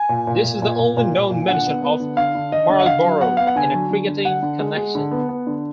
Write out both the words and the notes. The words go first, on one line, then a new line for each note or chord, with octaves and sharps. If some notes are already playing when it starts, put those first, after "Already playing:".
This is the only known mention of Marlborough in a cricketing connection.
Already playing: G#5
A#2
A#2
A#2
A#2
A#2
A#2
A#2
A#2
D3 F#5
B3
B3
D3
D3 F5
D3
D3 D#5
D3
F#5
D3 F5
F#3
B3 F#5
B3 F5
F#5
D3 G#5
F#3
D3
D3
D3 F#5
D3
G#3
G#3
D3
B3
B3
D3